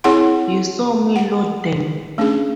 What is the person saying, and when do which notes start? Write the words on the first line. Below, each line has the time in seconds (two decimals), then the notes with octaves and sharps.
You saw me load them.
0.04 C4 E4 G#4 C#5 F#5 C6
1.16 F#5
2.18 A3 C#4 D4 G#4